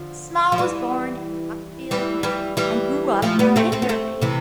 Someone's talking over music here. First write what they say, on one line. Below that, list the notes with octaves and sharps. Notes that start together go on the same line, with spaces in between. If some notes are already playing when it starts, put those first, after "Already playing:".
Small was born in Buckfield, Maine and grew up in Bangor, Maine.
Already playing: D3 F3
F3
E3 G3
E3 G3
E3 G3
E3 G3
F3 A3
G3 B3
A3 C4
A3 C4
B3
A3 C4
C3 E3